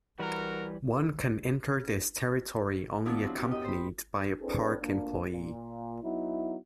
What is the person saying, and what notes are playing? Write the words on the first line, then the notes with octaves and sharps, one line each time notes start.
One can enter this territory only accompanied by a park employee.
E3 G3 F#4 A#4 B4
D#3 F3 F#3 B3 D4 E4
F#3 G3 C4 D4
F#2
D#5 G5
C5 B5
C4 D4 E4 G#4 A4 B4
D2 A#2 A#3 D4
A#2
F#3 B3 D#4 E4